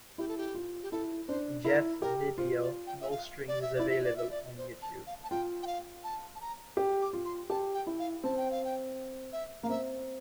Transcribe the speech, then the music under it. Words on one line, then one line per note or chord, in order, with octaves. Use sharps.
Jeffs video "No Strings" is available on YouTube.
E4 G4
A4
G4
F4
G4
E4 A4
D4 C5
E4 A#4
G4 A#4
F4 C5
D5
G5
E5
F5
D5
E5
E4 D5
F4 E5
D5
E5
D5
C5
A5
F5
A5
F4 G5
G5
F5
A5
A5
A#5
G4
D6
F4
C6
G4 A5
G5
E4
F5
C4 A5
G5
F5
G5
E5
A#3 F5
C4 E5